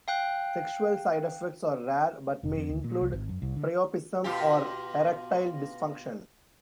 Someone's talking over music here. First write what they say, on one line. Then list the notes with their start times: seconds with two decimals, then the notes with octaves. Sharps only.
Sexual side effects are rare, but may include priapism or erectile dysfunction.
0.08 F5 G5 F#6
2.43 F1
2.57 F2
2.69 D2
2.84 A#2
3.01 C2
3.12 G#1
3.29 F#2
3.42 C2
3.56 D3
4.24 B2 F4 G4